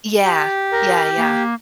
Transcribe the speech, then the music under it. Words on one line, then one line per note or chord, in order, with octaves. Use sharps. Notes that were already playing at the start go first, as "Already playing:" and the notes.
Yeah. Yeah, yeah.
G4
A#4
A#3